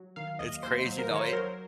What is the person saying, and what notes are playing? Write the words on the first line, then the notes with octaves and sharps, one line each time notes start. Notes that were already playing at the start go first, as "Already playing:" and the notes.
It's crazy though, it
Already playing: F#3
D#3 F5
D#2 D#5
D#2 C5
F#3
A#4
D#3
C#5
C5
F#3 A#4